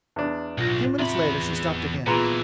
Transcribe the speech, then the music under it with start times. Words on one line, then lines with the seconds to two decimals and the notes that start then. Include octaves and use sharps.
A few minutes later she stopped again.
0.16 E2 D4
0.58 B1 A2 F4 A#6
0.99 E2 C3 B5
2.07 A#2 E3 B3 F4 G#4 B4 A#5 C6